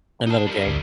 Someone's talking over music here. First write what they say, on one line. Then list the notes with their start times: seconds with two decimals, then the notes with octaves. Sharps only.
Another game?
0.27 D#4 A5
0.47 G3 A#4
0.66 A1 D2